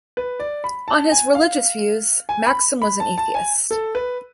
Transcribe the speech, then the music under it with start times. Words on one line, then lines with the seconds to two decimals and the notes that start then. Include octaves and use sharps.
On his religious views, Maxim was an atheist.
0.17 B4
0.40 D5
0.64 B5
0.88 A5
1.12 G#5
1.35 F5
2.29 G#5
2.46 B5
2.82 B5
3.00 A5
3.18 A5
3.35 G#5
3.71 A4
3.95 B4